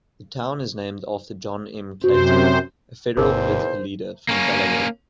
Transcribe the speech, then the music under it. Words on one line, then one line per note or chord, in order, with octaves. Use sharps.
The town is named after John M. Clayton, a federal political leader from Delaware.
F#2 C3 F#4 C5
G1 E2 B2 D#4 A#4 C5 D6
A#3 C#4